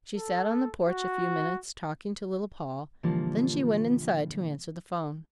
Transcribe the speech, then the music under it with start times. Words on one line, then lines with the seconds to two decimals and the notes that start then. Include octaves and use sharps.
She sat on the porch a few minutes talking to Little Poll, then she went inside to answer the phone.
0.16 A4
0.88 F#4
3.03 A#2 D3 E3 F3 G3 A#3